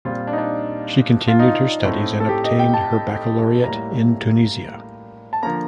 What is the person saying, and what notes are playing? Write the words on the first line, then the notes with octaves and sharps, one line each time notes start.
She continued her studies and obtained her baccalaureate in Tunisia.
A#2 G3 C4 F4
D4
D#4
D4
F4
D#4
A2 A3 C4
A4
G4
D#5
G5
A5
A2 G3 A#3 A#5
A5
D3 F3 A#3 A#5